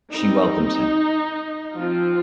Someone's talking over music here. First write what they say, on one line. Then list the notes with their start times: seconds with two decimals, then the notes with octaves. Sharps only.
She welcomes him.
0.13 G3 C4 D#4
1.79 F3 C4 F4